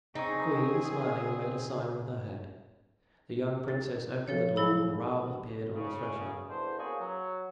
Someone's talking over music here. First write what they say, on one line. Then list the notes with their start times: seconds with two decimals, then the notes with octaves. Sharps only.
The queen, smiling, made a sign with her head; the young princess opened the door and Raoul appeared on the threshold.
0.15 C#3 C4 D#4 G#4 C#6
3.68 A6
4.28 F3 A4 C#5
4.56 F3 F#3 E4 B5
5.75 E2 A2 C#3
6.50 E2 D3 E3 D4 C5
6.79 A#3 B3 C#4 F4 F#4 G#4
7.00 F#3